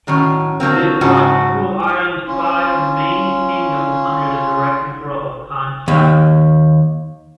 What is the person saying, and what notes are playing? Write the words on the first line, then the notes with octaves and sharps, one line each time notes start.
This brought two of Ireland's five main kingdoms under the direct control of Connacht.
A2 D#3 F#3 C#4
D3 F#3 A#3 C4
G#2 C#3 F#3 F#4 A5
C#4 F4
D#2